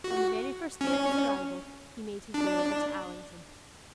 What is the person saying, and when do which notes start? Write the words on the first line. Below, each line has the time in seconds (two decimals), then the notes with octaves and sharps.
On the very first day of his arrival he made his way over to Allington.
0.04 F#4
0.81 C#4
2.34 D4